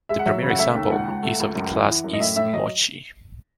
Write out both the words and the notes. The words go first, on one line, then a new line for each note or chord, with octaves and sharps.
The premier example is of the class is MoCl.
G#3 E5
F#5
F#3 E5
C#3
F#5
A3 E5
D#2
C#2 F#5
C#2
A3
C#2
F#2
E3
E3
F#2
D#5
A2 E5
A2 E5
F#3 D#5